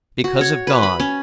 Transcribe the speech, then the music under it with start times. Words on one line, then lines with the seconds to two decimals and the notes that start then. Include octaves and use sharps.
Because of God.
0.24 F#4
0.41 C#5
0.67 B4
0.83 B5
1.00 C#4